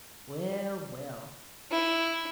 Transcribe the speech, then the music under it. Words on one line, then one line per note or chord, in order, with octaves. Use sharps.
Well, well.
E4